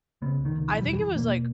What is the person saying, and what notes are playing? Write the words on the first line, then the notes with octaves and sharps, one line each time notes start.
I think it was like
C#3 B3
C#2
D#3
C#2
B2 E3
E2 G3
E3
E2
B2 A#3